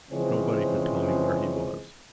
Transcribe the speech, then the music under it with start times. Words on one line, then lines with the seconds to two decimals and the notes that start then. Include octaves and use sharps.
Nobody could tell me where he was.
0.10 C#3 E3 F3 G#3 C4 C#4